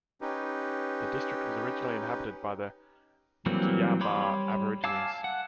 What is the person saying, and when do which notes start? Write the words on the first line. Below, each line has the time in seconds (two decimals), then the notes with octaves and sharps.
The district was originally inhabited by the Ngiyambaa Aborigines.
0.21 C#4 D#4 G4 B4
3.46 E3 F#3 G3 A#3 C4
4.01 G3 C#5 B5 C6 D6
4.84 F5 G#5 A5 D6 E6
5.24 F#5